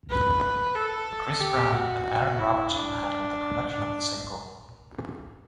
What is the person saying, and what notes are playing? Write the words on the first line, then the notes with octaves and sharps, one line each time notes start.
Chris Brown and Aaron Robertson handled the production of the single.
B4
A4
G4
F#4
E4
D4
D4